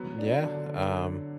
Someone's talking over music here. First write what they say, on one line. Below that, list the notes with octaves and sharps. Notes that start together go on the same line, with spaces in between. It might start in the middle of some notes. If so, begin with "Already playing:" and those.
Yeah, um,
Already playing: F#3 B3
D4
D3